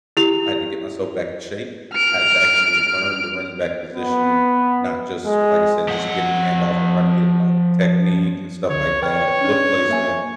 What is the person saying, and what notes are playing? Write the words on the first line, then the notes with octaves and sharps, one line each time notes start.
I had to get myself back in shape. I had to actually learn the running back position, not just, like I said, just getting a hand off and running it, like, technique and stuff like that, foot placement,
E4 G4 F7
F6 D7
B3
G#3
F3 F#5
C#2 D3 C#5
B4 C#5 G5 F6
C#4 D4
A#3 E5 G#5